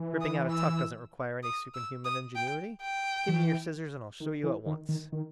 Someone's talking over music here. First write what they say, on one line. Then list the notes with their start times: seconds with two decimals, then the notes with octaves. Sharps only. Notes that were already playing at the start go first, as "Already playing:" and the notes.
Ripping out a tuck doesn't require any superhuman ingenuity! Give me your scissors, and I'll show you at once.
Already playing: E3
0.21 D#6
0.51 E6
1.43 D#6
1.74 E6
2.04 D#6
2.35 G5
2.82 G5
3.28 E3
4.20 D#3
4.44 E3
4.66 D#3
4.89 D#3
5.12 D#3